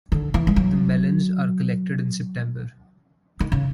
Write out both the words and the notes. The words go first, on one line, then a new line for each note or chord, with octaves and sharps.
The melons are collected in September.
D3
E3
G3
F#3
D#3
C#3